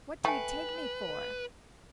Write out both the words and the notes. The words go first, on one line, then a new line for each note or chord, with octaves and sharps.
"What do you take me for?"
A3 B4 G5 G#5